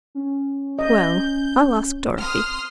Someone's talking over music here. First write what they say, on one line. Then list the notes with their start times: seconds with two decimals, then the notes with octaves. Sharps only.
"Well, I'll ask Dorothy."
0.15 C#4
0.79 D#5 G6
2.17 C6 D#6 F6